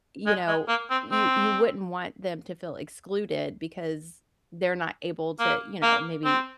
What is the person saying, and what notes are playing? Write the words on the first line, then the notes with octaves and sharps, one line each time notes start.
you know, you you wouldn't want them to feel excluded because they're not able to, you know, maybe
G#3
G#3
A#3
C4
C4
A#3
A#3
C4